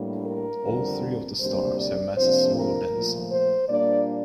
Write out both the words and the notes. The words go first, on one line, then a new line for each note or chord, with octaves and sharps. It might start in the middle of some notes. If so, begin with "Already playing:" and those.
All three of the stars have masses smaller than the Sun.
Already playing: A2 G3 A#3 D4
A#4
F2 D3 G3 C4
D2 C3 G3 A#3 D4 C5
D5
F2 C3 F3 A#3 D4 C5
A#4
A#2 F3 A3
C5
A#2 G3 A#3 D4 D5